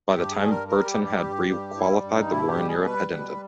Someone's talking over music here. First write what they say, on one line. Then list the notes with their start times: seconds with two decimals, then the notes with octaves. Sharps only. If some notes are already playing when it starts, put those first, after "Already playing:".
By the time Berton had requalified, the war in Europe had ended.
0.13 G2 G4
0.31 G#4
0.40 G3
0.50 A#4
0.68 G3 A#4
0.85 G4
0.95 G2
1.04 G4
1.22 G2
1.49 G3
1.76 G3 E4
2.03 G2
2.12 D#4
2.30 B2 E4
2.48 G4
2.57 G3
2.67 G#4
2.84 G3 B4
3.12 B2